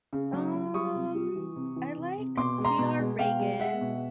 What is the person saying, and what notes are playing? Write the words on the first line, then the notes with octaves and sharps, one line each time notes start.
Um, I like, T. R. Ragan.
C#3
F#3
F#3
G3 C#6 D#6
C3
G3
E3
C3
E3
C3
C3
B2 C6 D6
G#3
A#5 C6
B2
G#3
B2 F5 G5
G#3
G#3 E5 F#5
B2